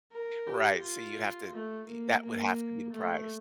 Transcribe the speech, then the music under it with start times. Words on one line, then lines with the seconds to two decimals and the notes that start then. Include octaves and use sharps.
Right, so you have to e that would have to be the price.
0.12 A#4
0.46 G4
0.82 F4
1.52 A3
1.87 A#3
2.23 A#3
2.93 A3